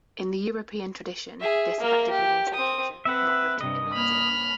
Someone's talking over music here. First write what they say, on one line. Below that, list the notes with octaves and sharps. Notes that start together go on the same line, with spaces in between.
In the European tradition, this effectively means literature not written in Latin.
G#4 E5
A#3 A#4
G4
C4 D#6
C4 B4 E5 F#5
G2 C3 D#5
A#3 B5 F6